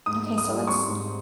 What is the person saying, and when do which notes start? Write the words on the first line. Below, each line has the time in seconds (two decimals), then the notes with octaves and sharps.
Okay, so let's
0.06 G#2 D#6
0.26 D#4
0.38 D#6
0.47 G3
0.67 C4 C#6
0.88 G#2